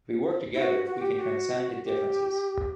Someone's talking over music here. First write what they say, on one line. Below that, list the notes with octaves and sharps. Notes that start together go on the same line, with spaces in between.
If we work together we can transcend differences.
E4
F#4
F#4
F#4
G4
F#4
G4